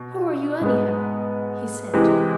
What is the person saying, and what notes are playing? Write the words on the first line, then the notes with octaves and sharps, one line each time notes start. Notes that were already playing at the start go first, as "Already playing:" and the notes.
"Who are you, anyhow?" he said.
Already playing: B2
G#2 G#3 B3
C3 E3 G#3